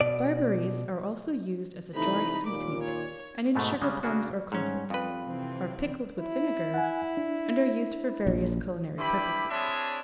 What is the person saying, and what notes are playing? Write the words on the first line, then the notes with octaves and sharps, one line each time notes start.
Barberries are also used as a dry sweetmeat, and in sugarplums or comfits; are pickled with vinegar, and are used for various culinary purposes.
B2 D5
C3 E3 A3 D#4 B5
D#2 A#2 D6
C#5
G#2 B2 G#3 A3
C#3 G3 G#3
C#3 A#3 D4 F#4
G#2 G3 C#4
F2 B4
C3 E3 C4
E4
F#5 G#5
D4
A#1
G2 E4 G4 B5
C4 D4 E4 G#4 C#5 E5